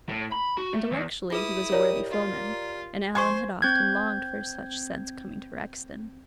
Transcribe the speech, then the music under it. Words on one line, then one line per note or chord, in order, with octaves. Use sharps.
Intellectually he was a worthy foeman, and Alan had often longed for such since coming to Rexton.
A2
B5
F#4
A3
E2
E4 F4 G#4 B4 D#6
G4 A#4 C#5 D5
F4
C5 G#5 C6 C#6 G#6
C4 G6 G#6